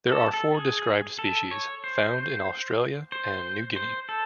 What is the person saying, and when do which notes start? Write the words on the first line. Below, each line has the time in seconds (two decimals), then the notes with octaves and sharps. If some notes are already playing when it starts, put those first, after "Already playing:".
There are four described species found in Australia and New Guinea.
0.12 A4
0.34 A4
0.54 G#4
1.19 A4
1.51 C#5
1.84 C5
3.12 C5
3.76 C5
4.09 A4